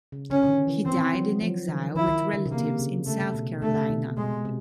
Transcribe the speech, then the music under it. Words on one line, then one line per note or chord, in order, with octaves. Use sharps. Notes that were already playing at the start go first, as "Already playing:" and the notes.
He died in exile with relatives in South Carolina.
C#3
D3 C#4
D#3
E3
E3 C4
F#3
F3
D#3
D#3 E4
D3
C3
C#3 A#3
C#3
C#3 A3
B2
C3 A3
B2
B2 G#3
C3